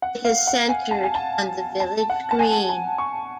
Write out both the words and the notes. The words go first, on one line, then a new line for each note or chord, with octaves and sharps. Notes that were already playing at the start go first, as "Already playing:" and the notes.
It is centered on the village green.
F#5
F5
F#5
G#5
A5
G#5
A5
A5
F#5
A5
G#5
A5
C#6